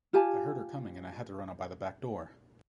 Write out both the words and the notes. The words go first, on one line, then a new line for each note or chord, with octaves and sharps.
I heard her coming and I had to run out by the back door!
F4 G4 G#5 A5